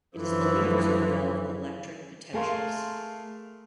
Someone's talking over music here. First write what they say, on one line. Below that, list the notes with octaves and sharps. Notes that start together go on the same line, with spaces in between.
It is believed to involve electric potentials.
F#2 D3 E3 F3
A3 G#4 A#4 F5 C6